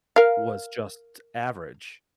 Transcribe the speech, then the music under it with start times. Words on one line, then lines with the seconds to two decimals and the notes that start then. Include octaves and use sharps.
was just average,
0.16 A#4 F5